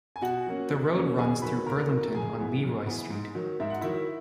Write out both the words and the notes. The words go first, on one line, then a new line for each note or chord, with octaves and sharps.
The road runs through Burlington on Leroy Street.
G#5
B2 F#4 F#5
F#3 A#3 C#4
B2
F#3 A#3 C#4
D#2 G#4 G#5
D#3 F#3 B4 B5
D#2 A#4 A#5
D#3 F#3
F#2 G#4 G#5
E3 B3
F#2
E3 B3
G#2
D#3 F#3
G#2 E5
F#5
D#3 F#3 E4 E5